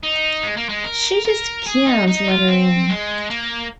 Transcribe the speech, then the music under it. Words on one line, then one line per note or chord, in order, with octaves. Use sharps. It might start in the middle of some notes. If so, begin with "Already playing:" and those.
She just can't let her in.
D#4
G#3
A#3
G#3
A#4
A#4
G#4
D#4
D#4
F4
C4
G#3
A#3